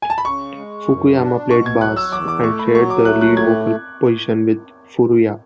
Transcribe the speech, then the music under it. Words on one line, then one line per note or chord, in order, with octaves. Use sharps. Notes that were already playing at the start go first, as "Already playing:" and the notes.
Fukuyama played bass and shared the lead vocal position with Furuya.
G#5
A5
B5
C#3 C#6
G#3
F#2
D4
B2 C#6
G#6
F#3 F#6
E6
E2 D6
D6
A3 C#6
B5
F#3 C#6
D6
A3 F#6
F#6
A2 G#6